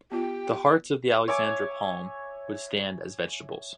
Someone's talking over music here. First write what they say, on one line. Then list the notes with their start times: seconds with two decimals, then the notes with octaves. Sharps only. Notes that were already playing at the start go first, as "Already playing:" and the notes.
The hearts of the Alexandra palm would stand as vegetables.
0.12 B3 F4 G4 G5
1.28 C#5 E5 G#5 D6